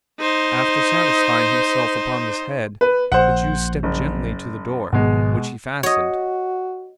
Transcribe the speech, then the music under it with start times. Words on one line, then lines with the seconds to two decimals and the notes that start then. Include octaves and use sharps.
After satisfying himself upon this head, the Jew stepped gently to the door: which he fastened.
0.19 D#4 C5
2.81 B4
3.12 A#1 C5 F#5
3.83 F#1
4.92 G#1 G#2 B2 F#3 G#3
5.83 F#4 C#5 D#5